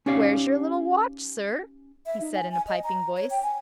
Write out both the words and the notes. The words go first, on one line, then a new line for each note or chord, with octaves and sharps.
"Where's your little watch, sir?" he said in a piping voice.
C#4 D#4 G4 C#5 D5 F5
E5
D#4
G#5
G#5
D#5
A#5
C#5
G5
G#5